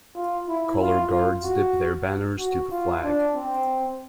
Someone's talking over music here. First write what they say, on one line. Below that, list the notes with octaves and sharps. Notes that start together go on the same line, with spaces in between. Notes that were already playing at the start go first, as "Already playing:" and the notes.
Color guards dip their banners to the flag.
F4
E4
F4
F4
F#4
F#4
F4
D4
C4